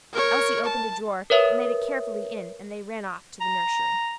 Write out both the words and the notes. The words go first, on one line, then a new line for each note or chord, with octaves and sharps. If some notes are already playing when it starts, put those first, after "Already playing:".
Elsie opened a drawer and laid it carefully in, and they ran off to the nursery.
A#4 C#5
A5
A#4 B4 C#5 E5 D#6
A#5